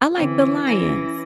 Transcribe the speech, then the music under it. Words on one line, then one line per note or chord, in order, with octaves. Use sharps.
I like the Lions.
D3 E3 C4 C#4
E3 C#4 A#6